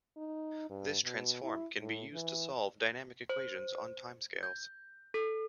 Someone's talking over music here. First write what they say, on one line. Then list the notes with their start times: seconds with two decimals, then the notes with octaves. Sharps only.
This transform can be used to solve dynamic equations on time scales.
0.17 D#4
0.70 G2
1.05 B2
1.43 E4
1.79 A2
2.13 E3
3.29 C5
4.43 G6
5.14 A4